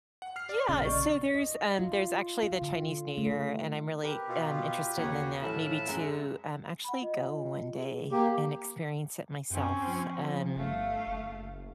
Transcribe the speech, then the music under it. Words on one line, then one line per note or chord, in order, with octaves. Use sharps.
Yeah. So there's, um, there's actually the Chinese New Year, and I'm really, um, interested in that, maybe to, um, actually go one day and experience it myself. Um,
F#5
F6 C7
D5
A#1 C#3 A6
D5 D#5 C#6
D#5
F4
F4
D3
A3
G4 A#4 B4
B2 F4
D#2 F#4 C#5 F#5
A2 E3 F4 A4 B4 A5 B5
F#2 G#3 E5 F#5 A#5
F#5 B5
F4 D#5
G#4
A#3 G4
F#2 C4 C#4
F3
G1 A3 F5
F#1